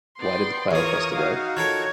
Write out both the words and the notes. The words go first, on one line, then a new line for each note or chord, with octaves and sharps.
Why did the quail cross the road?
B3 D5 G5 C6
E2 F4 A#4 C#5 D#6
D#4 F#4 F5
F4 A4 A#4 C#5 G#6